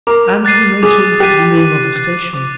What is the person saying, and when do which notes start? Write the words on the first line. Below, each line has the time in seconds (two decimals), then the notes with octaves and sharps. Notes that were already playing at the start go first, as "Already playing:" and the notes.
And he mentioned the name of a station.
0.07 A#4 D6
0.45 F#6 A6 C7 D#7
0.83 G#4 D6
1.20 G4 F#6 A6 C7 D#7
1.58 D6
1.96 F#6 A6 C7 D#7
2.34 D6